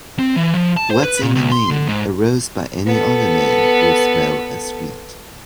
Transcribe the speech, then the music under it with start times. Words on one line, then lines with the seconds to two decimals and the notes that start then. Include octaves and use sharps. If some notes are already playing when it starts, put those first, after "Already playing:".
What's in a name? A rose by any other name would smell as sweet.
0.19 C4
0.36 E3
0.55 F3
0.77 A5
0.91 C5
1.04 B4
1.22 A#2
1.35 C#2
1.52 C6
1.71 D3
1.88 G#2
2.87 B3 A4